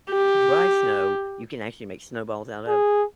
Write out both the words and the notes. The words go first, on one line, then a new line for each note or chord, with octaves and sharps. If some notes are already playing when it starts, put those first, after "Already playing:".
dry snow, you can actually make snowballs out of.
G4
G#4